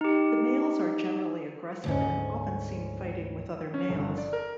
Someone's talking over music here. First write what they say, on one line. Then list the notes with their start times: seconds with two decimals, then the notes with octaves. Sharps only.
The males are generally aggressive and often seen fighting with other males.
0.01 D#4 G4
1.84 D2 G#2 C#4
3.74 C#4
3.90 G1
4.18 D5
4.33 A#4